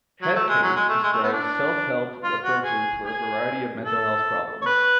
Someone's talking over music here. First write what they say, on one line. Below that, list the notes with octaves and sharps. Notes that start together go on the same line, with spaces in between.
"Head Case" describes self-help approaches for a variety of mental health problems.
F#3
A3
G#3
F#3
G#3
A3
G#3
A3
B3
D4
F4
F#4
G#4
G#4
A4
C#5
B4